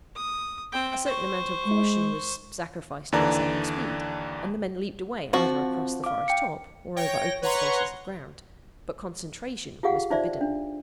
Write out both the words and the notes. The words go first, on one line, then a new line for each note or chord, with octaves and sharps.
A certain amount of caution was sacrificed for the sake of speed, and the men leaped away either across the forest top, or over open spaces of ground, but concentration was forbidden.
D#6
C4 G5
C5 C#6
G#3
D#2 D3 E3 D5 A5 A#5
F3 C4 F#4
F5 D6
G5 C#7
C#5 G5 A#6
B4 C#5 F#5 A#5 C6 C#6
F4 G4 G#4 F5 F#5
D#4 F4 C5 D5 E5
D4